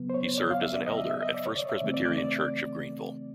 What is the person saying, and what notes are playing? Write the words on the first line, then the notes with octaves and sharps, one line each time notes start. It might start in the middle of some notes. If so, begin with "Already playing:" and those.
He served as an elder at First Presbyterian church of Greenville.
Already playing: C#3 F#3 B3
C5
C#5
D5
F5
E5
D5
D#5
E5
E5
D#5
D5
C#5
D5
E5
C#3 E3 A3 C4
D5
D5
D5